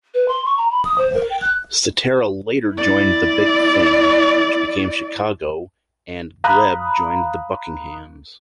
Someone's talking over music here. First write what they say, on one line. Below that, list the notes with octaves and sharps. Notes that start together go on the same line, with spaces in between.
Cetera later joined The Big Thing, which became Chicago, and Grebb joined The Buckinghams.
B4
C6
C#6
A#5
B5
D#6
C5
A#4
G5
F#6
E4 D5
F5 A#5 B5 D#6 F#6